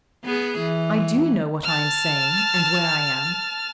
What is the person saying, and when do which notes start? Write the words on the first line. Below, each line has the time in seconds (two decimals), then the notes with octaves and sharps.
I do know what I am saying and where I am.
0.25 B3 G#4
0.59 E3
1.64 A5 F6